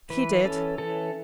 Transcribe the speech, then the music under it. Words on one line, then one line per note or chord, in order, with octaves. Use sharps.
"He did."
E3 B4
C#4 A4
E3 A4